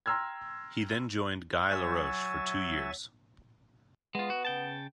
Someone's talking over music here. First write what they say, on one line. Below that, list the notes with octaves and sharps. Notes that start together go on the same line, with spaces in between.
He then joined Guy Laroche for two years.
G5 A#5 C6 E6 F6 G#6
F#3 E5 G#5 C#6 A6
G#3 B3 F4
F#4
C#3 G5 A5